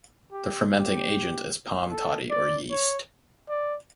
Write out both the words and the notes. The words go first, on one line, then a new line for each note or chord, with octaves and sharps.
The fermenting agent is palm toddy or yeast.
G4
G4
A4
D5
C#5
D5